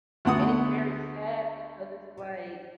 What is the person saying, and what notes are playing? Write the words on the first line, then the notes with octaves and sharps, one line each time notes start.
And it's very sad because it's, like
D2 B3 F#5 D#6